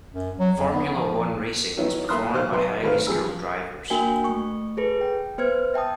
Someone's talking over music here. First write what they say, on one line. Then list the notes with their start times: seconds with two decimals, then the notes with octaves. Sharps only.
Formula one racing is performed by highly skilled drivers.
0.13 F#2
0.40 F#3
0.57 F2
0.73 B3
0.92 F3
1.77 D#3 F#3 B3 C#4 D#4 E4
2.09 A#3 E5 B5 C6 D#6 F#6
2.33 B1 G4 C5 F5 F#6
2.51 B1 B2 B4 E5 C6
2.83 G#1 A3 B4 F5
3.07 F3 G4 G#4 B5 E6
3.90 A#3 D4 F#4 A#4 G5 G#5
4.24 A3 C#6
4.77 G#4 A4 B4
5.01 G5
5.38 B3 B4 C5 F6 G#6
5.74 E5 G5 A5 D#6